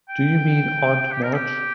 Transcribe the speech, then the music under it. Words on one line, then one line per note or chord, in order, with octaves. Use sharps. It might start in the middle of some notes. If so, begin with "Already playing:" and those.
Do you mean Aunt March?
G5
G4
A#4
G4